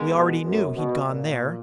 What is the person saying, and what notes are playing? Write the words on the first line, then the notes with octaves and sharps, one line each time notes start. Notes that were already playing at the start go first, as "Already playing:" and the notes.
"We already knew he'd gone there."
Already playing: G#3 B3 D#4 A#4
B2
F#2
B2
A#2